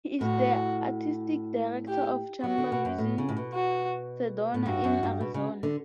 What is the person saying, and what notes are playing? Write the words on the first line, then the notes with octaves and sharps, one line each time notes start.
He is the Artistic Director of Chamber Music Sedona in Arizona.
A2 F#4
G4
F#3 F#4
D3
B2
F#2
A2
C#3
A2
B2
F#4
A2
G2 F#4
F#2
G2
B2
C#3
D3